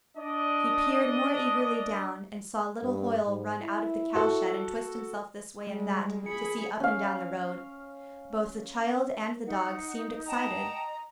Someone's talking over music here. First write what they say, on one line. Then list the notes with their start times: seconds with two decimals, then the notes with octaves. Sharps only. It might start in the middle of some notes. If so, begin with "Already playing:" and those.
He peered more eagerly down, and saw little Hoyle run out of the cow shed and twist himself this way and that to see up and down the road. Both the child and the dog seemed excited.
0.18 D4 D5 D#5
2.83 G2
3.25 G#2
3.62 E4
4.15 F#4 A4
5.67 G3 G#3
6.26 G#4 B5 C#7
6.80 C#4 F5
9.46 D#4 F#5
10.27 D#5 F#5 G5 A5 A#5